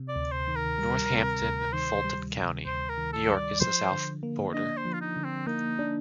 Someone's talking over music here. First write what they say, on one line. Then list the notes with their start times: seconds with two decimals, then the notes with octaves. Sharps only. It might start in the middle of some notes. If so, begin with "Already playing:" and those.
Northampton, Fulton County, New York is the south border.
Already playing: C3
0.09 D5
0.16 D2
0.32 C5
0.48 D#3
0.56 A#4
0.78 G3
1.10 C3
1.41 D2
1.73 D#3 C5
2.04 G3
2.36 C3
2.66 D2 C5
2.89 A#4
2.98 D#3
3.13 A4
3.29 G3
3.36 D5
3.60 F3 C5
3.92 D3
4.23 A#3
4.54 D4 D#5
4.77 C5
4.85 F3
4.93 F4
5.01 D#4
5.17 D3
5.24 C4
5.47 A#3 D#4
5.79 D4